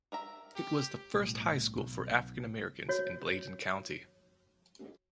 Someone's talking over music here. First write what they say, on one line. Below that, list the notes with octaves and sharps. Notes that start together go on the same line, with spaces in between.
It was the first high school for African Americans in Bladen County.
A#4 E5 A#5
G4
B1 A2 G3
B1
F#4 C#5